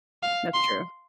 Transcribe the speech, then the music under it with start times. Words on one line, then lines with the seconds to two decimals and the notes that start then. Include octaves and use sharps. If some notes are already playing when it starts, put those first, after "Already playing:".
That's true.
0.23 F5
0.54 C6